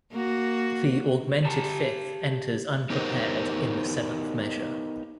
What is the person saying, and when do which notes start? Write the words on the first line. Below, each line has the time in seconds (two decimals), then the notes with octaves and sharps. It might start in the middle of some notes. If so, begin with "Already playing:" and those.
The augmented fifth enters unprepared in the seventh measure.
0.12 A#3 F#4
1.45 G4 A5 A#5
2.90 B3 D#4 G4 A#4 C5 C#5